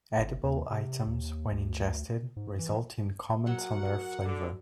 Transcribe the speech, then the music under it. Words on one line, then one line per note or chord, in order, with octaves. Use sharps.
Edible items, when ingested, result in comments on their flavor.
G1
D#2
C3
D#2
D2
G#2
E3
F#3 A#4 F#5
D3